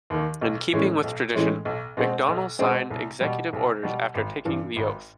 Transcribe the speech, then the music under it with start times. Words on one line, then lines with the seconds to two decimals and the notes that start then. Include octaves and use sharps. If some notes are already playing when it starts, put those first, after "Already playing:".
In keeping with tradition, McDonnell signed executive orders after taking the oath.
0.10 D#2 D#3
0.41 B1
0.72 A2 E3 G#3 C#4
1.03 B1
1.34 A2 E3 G#3 C#4
1.65 B1
1.97 B2 G#3 C4
2.28 B1
2.59 B2 G#3 C4
2.90 C2
3.21 B2 G3
3.53 C2
3.83 B2 G3
4.15 G#1
4.45 G2 E3
4.76 G#1